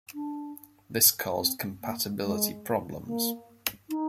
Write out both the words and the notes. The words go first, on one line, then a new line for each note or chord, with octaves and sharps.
This caused compatibility problems.
D4
C4
A#3
G#3
A#3
D#4